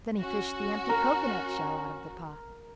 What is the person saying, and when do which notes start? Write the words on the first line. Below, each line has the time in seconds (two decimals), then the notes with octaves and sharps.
Then he fished the empty cocoanut shell out of the pot.
0.18 C#4 F#4
0.89 A#4